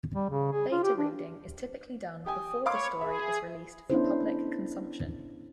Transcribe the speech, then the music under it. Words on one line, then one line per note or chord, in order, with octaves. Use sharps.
Beta reading is typically done before the story is released for public consumption.
G3
C#3
G#4
F4
G4
D4
G4 G5 G#5 D#6
C#5 F5 B5 C6 D6
G#4 E5
B3 C#4 D4 E4 A4 C5